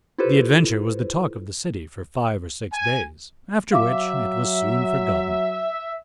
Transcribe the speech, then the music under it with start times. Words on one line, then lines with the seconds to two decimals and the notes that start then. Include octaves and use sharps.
The adventure was the talk of the city for five or six days, after which it was soon forgotten.
0.18 E4 F4 G4 A4 B4 C5
2.73 G#5
3.72 F#3 E5 F5 D6